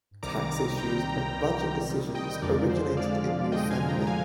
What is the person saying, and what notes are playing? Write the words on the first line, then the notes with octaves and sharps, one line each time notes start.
Tax issues and budget decisions originated in the assembly.
C2 C3 D#3 G3 A#5 D6
C2 C3 D#3 G3 G5 A#5
C2 C3 D#3 G3
C2 C3 D#3 G3
D#5 G5
F2 D3 F3 G#3 A#4 D5
C5
F2 D3 F3 G#3 D5 F5
F2 D3 F3 G#3 D#5 G5
F5 G#5
G5 A#5
A#5
D3 F3 G#3 F5 G#5